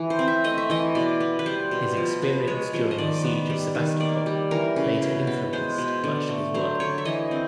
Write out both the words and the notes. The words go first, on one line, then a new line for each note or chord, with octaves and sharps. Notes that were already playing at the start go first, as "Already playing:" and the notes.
His experience during the siege of Sevastopol later influenced much of his work.
Already playing: E3
C5
C4
E5
A3 D#5
E5
E3 D#5
B2 D5
B3
B4
G3 C5
B2
F3
B3
G#3 C#5
F3
D#5
D#3 D5
B3
G3
D#3
A#3 D5
G3
E3 A#4
C#3
B2
B3
G#3 C5
B2
D3
A3
F#3 C5
D3 C#5
E5
E3 D#5
C4